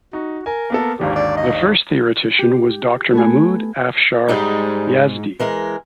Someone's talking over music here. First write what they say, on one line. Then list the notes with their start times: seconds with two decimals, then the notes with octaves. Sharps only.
The first theoretician was Doctor Mahmoud Afshar Yazdi.
0.13 D#4 F#4
0.46 A#4 G#5
0.70 A#3 B3 A4
1.00 G#1 D#2 D3 G4
1.16 D5
1.37 D#5
2.39 G4
3.13 A3 B3 G#5
4.28 G#2 G3 G#3 D#4
5.39 E3 G#3 A#4